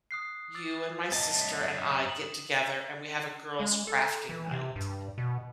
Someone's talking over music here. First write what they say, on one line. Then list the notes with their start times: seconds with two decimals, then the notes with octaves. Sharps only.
you and my sister and I get together, and we have a girls' crafting night?"
0.11 D#6 F#6 C7
0.54 D6 E6 A6
1.12 F#2 D#5 A5
1.41 B6
2.09 D#6 E7 F#7
3.60 G#3
3.87 A4
4.29 E3
4.51 C3
4.76 G2
5.18 B2